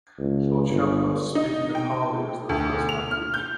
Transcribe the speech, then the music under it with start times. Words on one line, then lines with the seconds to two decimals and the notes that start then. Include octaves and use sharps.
Lhotshampas speak Nepali as their first language.
0.19 C#2
0.69 G1
1.35 D#4
1.75 G5
2.49 D2
2.89 F7
3.11 F6
3.34 G6